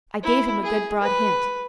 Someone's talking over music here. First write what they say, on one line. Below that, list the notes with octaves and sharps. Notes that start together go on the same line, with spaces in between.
I gave him a good broad hint.
E4
G#4
B4